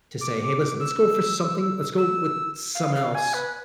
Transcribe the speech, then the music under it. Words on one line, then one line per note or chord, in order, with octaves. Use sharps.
to say, "Hey, listen, let's go for something let's go with someone else,"
D6
E6
E6
F5
F5
G#5
B4